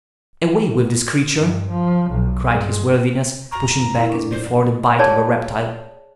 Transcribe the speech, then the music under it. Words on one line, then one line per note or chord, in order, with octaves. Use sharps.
"Away with this creature!" cried his worthiness, pushing back as before the bite of a reptile.
G2
F3
B1
G2 G#3
F#2 A#5 C#6
E4 A#4
A2 D4
C5 D5
G#4 C#5 D5 A5